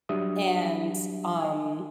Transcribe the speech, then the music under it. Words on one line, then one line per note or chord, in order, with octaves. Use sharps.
And, um,
F#3 G3 D4 G4 E5 D#6
D#5 G#5